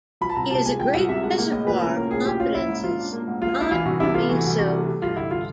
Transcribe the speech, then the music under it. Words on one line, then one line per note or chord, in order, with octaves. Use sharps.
He is a great reservoir of confidences, not to be so tapped.
F3 B5
A5
C2 A#5
C3 A5
G#3 G#5
F3 G5
C2 F#5
C3 E5
G#3 F#5
A#3 F#5
A2 D#5
F3 B4
C#4 A#4
A#3 A#4
A2 G#4
F3 G4
C#4 F4
A#3 E4
G#2
F3 F4
D4
A#3
G#2
F3 F4
D4 E4
E3 F4
C2 F#4
C3 E4
A3 F4
E3 F#4
C2
C3 F#4
A3
G3
G2 F4
D3 E4
F4